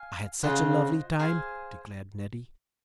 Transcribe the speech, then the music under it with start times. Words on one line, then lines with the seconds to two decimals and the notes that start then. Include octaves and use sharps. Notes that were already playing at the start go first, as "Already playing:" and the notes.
"I had such a lovely time," declared Nettie.
Already playing: F5 G#5
0.43 C#3 F4 C5 D#5 F#5
1.19 G#4 C5 F5 G#5